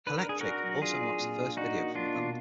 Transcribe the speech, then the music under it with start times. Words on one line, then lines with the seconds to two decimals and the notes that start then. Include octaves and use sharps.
Hellectric also marks the first video from the band.
0.06 D4 B4
0.18 A#4
0.25 D4 G#4
0.41 D4 F#4 A#4
0.63 F#3
0.82 D4 F4 G#4
1.01 D4
1.19 A#2
1.39 D4
1.57 D4 D#4 F#4
1.77 A#3
1.95 A#3 D4 F4
2.14 B2